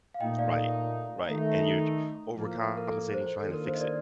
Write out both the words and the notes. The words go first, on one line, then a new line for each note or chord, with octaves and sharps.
Right, right, and you're j overcompensating trying to fix it.
F5
A#2 A3 D#4 D#5 G5
D5 F5
A#4
D#3 A3 D#4
A2 F3 A#3
A#4
A4
C5
D#3 A#3 D4 F4 A4
A#4
C5
D#5
A#4 D5